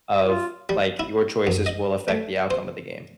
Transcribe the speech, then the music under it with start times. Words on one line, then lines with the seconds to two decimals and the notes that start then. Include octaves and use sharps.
of like, your choices will affect the outcome of the game.
0.26 F4
0.69 G3
0.99 E4
1.47 F#2
1.66 D#5
2.08 A3
2.51 C5